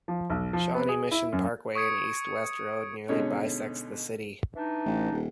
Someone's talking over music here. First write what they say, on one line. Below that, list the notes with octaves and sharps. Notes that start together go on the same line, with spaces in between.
Shawnee Mission Parkway, an east-west road, nearly bisects the city.
F3
B1
F3
B3
G#4
E4
F#2
C#6 D#6 G#6 C#7 D7
B2 D3 G#3 C#4 D#4 C#5
E3 D4 D#4
A1
D#1